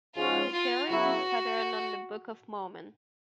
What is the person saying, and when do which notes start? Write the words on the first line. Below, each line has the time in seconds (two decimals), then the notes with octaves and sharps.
The series is patterned on the Book of Mormon.
0.15 G#2 F3 G#3 C#4 F4 F#4
0.52 F4
0.89 C#3 F#3 B3 E4 F#4